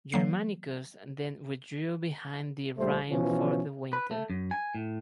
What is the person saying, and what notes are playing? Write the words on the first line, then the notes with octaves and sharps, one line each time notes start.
Germanicus then withdrew behind the Rhine for the winter.
E3 F#3 A#3 C7
A#1 G3 A3 C5
B2 E3 F3 C#4
B4
A3
F#2
G#5
A2